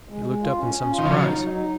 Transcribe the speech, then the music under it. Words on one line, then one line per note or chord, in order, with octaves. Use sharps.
He looked up in some surprise.
G#3
G#3
F4
C#4
C#4
F4
D#3
C#3 F3 F#3
D#4
F#3
D#4